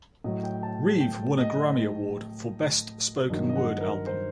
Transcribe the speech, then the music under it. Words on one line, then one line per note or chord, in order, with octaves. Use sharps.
Reeve won a Grammy Award for Best Spoken Word Album.
A2 F#3 D#5
G5
A5
G5
D#5
G2 D#3 F#3 D#5
D#5
F#5
A#4
C5